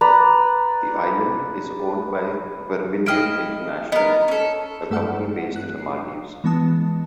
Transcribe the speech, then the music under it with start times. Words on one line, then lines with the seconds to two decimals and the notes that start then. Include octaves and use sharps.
The island is owned by Vermilion International, a company based in the Maldives.
0.01 B4 D5 A#5
3.06 E4 D#5 F5 G5 F6 D7
3.92 B3 A#4 D#5
4.28 C#4 A4
4.90 G2 A3 A4 F#5 F6
5.56 F#6
5.78 C7
6.44 E3 G#3 B3 A5 D#6